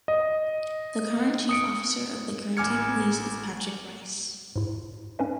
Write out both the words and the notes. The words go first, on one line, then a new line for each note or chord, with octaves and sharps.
The current Chief Officer of the Guernsey Police is Patrick Rice.
D#5
D#6 C#7 D7
A1 G#5 D6 F6 G#6 C#7
G#2 E4
C#4 D#4 B4 D#5